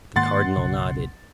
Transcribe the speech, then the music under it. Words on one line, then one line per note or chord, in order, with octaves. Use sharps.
The Cardinal nodded.
G#2 D#3 A#3 F#5 C6 A6
B1 C#3